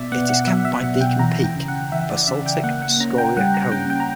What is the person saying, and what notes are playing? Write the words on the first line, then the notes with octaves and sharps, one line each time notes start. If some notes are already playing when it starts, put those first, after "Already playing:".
It is capped by Deacon Peak, a basaltic scoria cone.
Already playing: B2 D5 E5
B3 F#5
F#5
F#3 E5
E5
B2 F#5
G5
E3 A#5
G5
C#3
F#5
E3 E5
D5
C#3 E5
G5
A#3 F#5
F#5
C#4 A#5
G5
G3 F#5
A#5
C#4 G5
G5
A#5